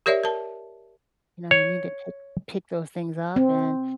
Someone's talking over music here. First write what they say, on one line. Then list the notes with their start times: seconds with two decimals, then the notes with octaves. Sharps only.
You know, you need to pick pick those things up and
0.06 G4 A#4 C#5 D5 E5
0.24 A#4 A5
1.51 C#5
3.36 C4